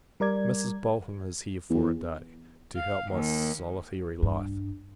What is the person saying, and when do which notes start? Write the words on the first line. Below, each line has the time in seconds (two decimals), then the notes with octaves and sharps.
Mrs. Bolton is here for a day, to help my solitary life.
0.20 G3 A#4 D5 G#6
1.70 E2
2.76 F5
3.11 D#2
4.22 G2